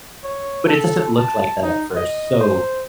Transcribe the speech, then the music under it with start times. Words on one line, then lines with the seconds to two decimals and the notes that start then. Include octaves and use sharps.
but it doesn't look like that at first, so
0.24 C#5
0.67 A4
1.18 A5
1.62 D#4
1.96 D#5
2.41 C5